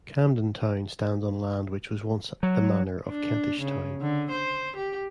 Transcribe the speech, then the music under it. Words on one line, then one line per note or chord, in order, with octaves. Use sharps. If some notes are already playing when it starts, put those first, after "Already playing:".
Camden Town stands on land which was once the manor of Kentish Town.
F#3
D4
C#3
D3
C5
G4